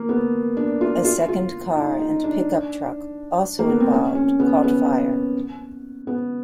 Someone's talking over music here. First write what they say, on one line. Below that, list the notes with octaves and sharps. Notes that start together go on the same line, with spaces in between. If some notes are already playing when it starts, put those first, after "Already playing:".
A second car and pickup truck, also involved, caught fire.
Already playing: A#3
B3
D4
F4
F4
F4
D#4
D#4
D4
A#3
B3
C4
C#4
C#4
B3
B3
B3